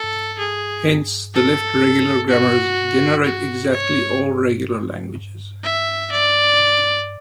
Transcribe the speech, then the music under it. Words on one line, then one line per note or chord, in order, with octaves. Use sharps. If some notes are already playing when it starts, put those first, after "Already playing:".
Hence, the left regular grammars generate exactly all regular languages.
Already playing: A4
G#4
A4
F#4
F#4
C#5
E5
D5